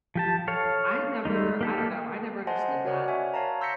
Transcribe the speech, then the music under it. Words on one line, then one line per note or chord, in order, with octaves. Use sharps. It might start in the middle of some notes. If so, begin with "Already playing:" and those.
I never I don't know, I never understood that.
F3 G4 A5
A4 C#5 F5
G3 G#3 D#4
A#3 G4 A4
C5 D#5 F#5 G#5 A5 C6
C#4
F#4 A#4 C#5 D5 F#5
E5 G#5
C#5 F5 A5 A#5
C6 E6 G6 A#6 B6 C#7